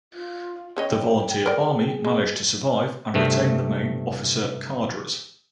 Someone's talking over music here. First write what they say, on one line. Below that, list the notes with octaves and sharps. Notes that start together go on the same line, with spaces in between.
The Volunteer Army managed to survive and retain the main officer cadres.
F4
C#3 C#5 D#5 G5
G#4 A#4 D5
G#3
G2 C3 A3